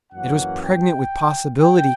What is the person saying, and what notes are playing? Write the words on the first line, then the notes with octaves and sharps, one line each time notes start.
It was pregnant with possibilities.
F#2 E3 A#3 C#4 F#5
G5
G5